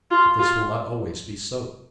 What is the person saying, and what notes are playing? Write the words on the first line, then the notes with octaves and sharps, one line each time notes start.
But this will not always be so.
F4
F4